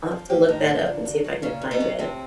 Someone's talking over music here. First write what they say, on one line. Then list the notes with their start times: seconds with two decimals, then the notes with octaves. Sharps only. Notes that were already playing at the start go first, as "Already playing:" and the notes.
I'll have to look that up and see if I can find it.
0.11 F3
0.30 A2 G3 G4
0.48 A2 D#3 D#4
0.67 D3 F3 D4
0.86 A#2
1.05 F#3
1.24 F#3
1.42 A#2 C#3 C#4
1.61 A#2
1.71 B2 B3
1.80 F#3
1.99 A2 C3 C4